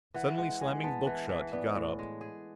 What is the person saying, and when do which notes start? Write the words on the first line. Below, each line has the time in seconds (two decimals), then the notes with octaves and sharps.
Suddenly slamming the book shut, he got up.
0.14 E3 F#5
0.38 G#3 F#5
0.61 G#3 G#5
0.84 B3 A5
1.06 E3 F#5
1.29 E3
1.52 B3 D5
1.75 A2
1.99 G#3
2.21 G#4